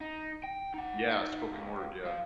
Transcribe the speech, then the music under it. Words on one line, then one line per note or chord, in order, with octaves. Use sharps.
Yeah, spoken word, yeah.
D#4
G5
D#4 F#5
C#2
F3 F5